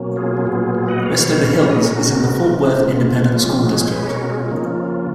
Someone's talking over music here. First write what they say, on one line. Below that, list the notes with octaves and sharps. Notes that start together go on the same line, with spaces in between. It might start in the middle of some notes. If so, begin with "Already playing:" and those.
Westover Hills is in the Fort Worth Independent School District.
Already playing: B2 F#3 A#3 C#4
F4 G#4
A#2 F#3 B3
F4 G#4
D#5 F#5
B2 G#3 B3 C#5 F5
A#2 G#3 C#4 C#5 F5
B4 D#5
A#4 C#5
F#4 A#4
C#3 G#3 B3
F4
A#2 G#3 B3
F3 G#3 C#4
D#4 F#4
F4 G#4
B2 G#3 C#4 G#4 B4
A#4 C#5
F#4 A#4
F4 G#4
F4
C#3 F3 A#3 C#4 D#4
F4